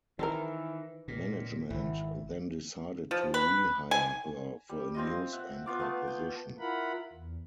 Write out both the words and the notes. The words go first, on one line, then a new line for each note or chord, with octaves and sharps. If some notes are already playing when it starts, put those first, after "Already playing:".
Management then decided to rehire her for a news anchor position.
D#3 E3 C4 D#4 A#4
C#2 A#2
G#1 E4
F3
B4
G#5
G3
C4 F4 D#5
E5 F#5
B3 F4 D6
A3 B3
G5
E4 F4 A#4 F#5 B5
E2